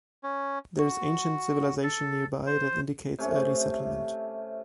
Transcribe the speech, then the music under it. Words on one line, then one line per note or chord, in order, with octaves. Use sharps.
There is ancient civilisation nearby that indicates early settlement.
C#4
F#4
A4
C5
C3 A3 C#4